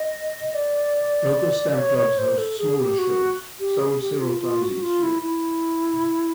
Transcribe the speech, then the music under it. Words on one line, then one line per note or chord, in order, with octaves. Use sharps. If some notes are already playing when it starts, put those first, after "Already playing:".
Local stamp clubs host smaller shows, some several times each year.
Already playing: D#5
D5
C#5
C#5
C5
A4
G#4
G4
F#4
G4
G#4
G4
F4
F4
F#4
F4
E4
E4